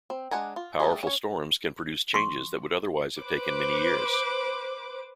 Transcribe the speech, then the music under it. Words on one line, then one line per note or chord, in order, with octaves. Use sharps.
Powerful storms can produce changes that would otherwise have taken many years.
C4
G#3 D4 F#5 G#5 A#5
F4
G3 A3 A#3 D4 G#4
C#4 C#5
C6 C#6
B4 C5 D6